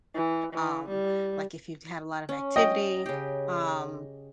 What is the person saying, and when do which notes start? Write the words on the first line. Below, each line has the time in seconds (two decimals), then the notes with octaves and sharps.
um, like, if you've had a lot of activity, um,
0.15 E3
0.53 E3
0.88 G3
2.29 C#4
2.56 D#5 G5
3.06 C#3 G4